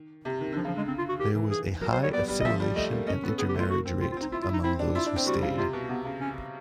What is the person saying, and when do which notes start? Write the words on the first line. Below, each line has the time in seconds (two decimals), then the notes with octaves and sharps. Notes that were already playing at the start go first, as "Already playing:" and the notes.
There was a high assimilation and intermarriage rate among those who stayed.
Already playing: D#3
0.25 C3
0.41 D#3
0.53 D3 F3
0.65 C#3 F3
0.76 D3 G#3
0.88 C4
0.98 F4
1.09 F#4
1.19 D#3 G4
1.35 E3
1.50 G#4
1.81 F#3 A#4
1.92 C5
1.97 G3
2.03 C#5
2.13 B3 D5
2.28 G3
2.40 D#5
2.45 F3 E5
2.60 G3
2.76 A3 D#5
2.91 A#3
3.07 C#4 D#5
3.23 B3 A4
3.38 B3 G#4
3.49 G4
3.54 A3
3.60 F4
3.69 A#3 F#4
3.85 C4
4.01 C4 F4
4.12 F4
4.17 C4
4.22 D#4
4.32 E4 F4
4.42 F4
4.48 D#4 E4
4.63 C4 E4
4.79 D4
4.95 E4 F4
5.06 D4
5.16 C4
5.27 G3 F#4
5.42 C#3
5.58 C3 F4
5.73 B2
5.89 C3 B3
6.05 C#3
6.20 C#4